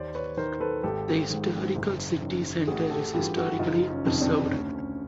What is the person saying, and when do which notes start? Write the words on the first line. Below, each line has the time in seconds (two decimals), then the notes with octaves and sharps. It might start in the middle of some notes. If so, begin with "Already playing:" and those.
The historical city center is historically preserved.
Already playing: D#2 C5 D5
0.15 B4 C#5
0.37 D#3 A#4 C5
0.60 A4 B4
0.83 G#1 G4 A4
1.30 G#2 D#3
1.75 F#1
2.22 F#2 D#3
2.67 A1 F#4 G#4
2.90 G4 A4
3.13 G2 E3 F4 G4
3.36 E4 F#4
3.59 F#1 D#4 F4
3.90 C#4
4.05 F2 C3 D#3
4.21 C4 D4
4.51 D2 C#4
4.74 C#4